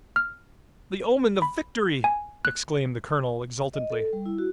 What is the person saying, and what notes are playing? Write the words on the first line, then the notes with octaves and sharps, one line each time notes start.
"The omen of victory!" exclaimed the colonel exultantly.
F6
B5
G#5
F#6
D#5
A4
G3
E4
F#4